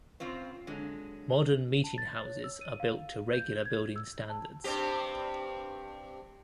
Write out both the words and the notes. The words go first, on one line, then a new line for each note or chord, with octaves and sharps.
Modern meeting houses are built to regular building standards.
C#3 C4 F4 C5
D3 F#3 G#3
A5
A6
C#5
E6
D#7
F5
G6
G#6
E6
A5
G2 C4 G4